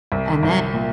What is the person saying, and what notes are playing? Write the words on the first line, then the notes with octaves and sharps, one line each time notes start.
and then
C2
C2
A#2